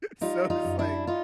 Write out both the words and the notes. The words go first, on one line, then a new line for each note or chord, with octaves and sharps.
so it's like,
G3 D#4 F4
D#4 F4
F#2
D4 E4
D#4 F4